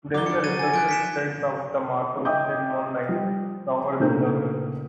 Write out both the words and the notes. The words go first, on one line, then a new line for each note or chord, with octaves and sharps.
Then the researcher spreads out the marbles in one line, longer than the other.
F#3 D#4 D6 G7
D4 E4 D5 C#7
F#3 G#6 A6 D#7
G#5 A6
F3 F#6 G6 D7
B6 C#7 E7
D#5 E5 G5 D6 D#6 G6
F3 G3
A#2 C#3 A3 A#3 D4 D#4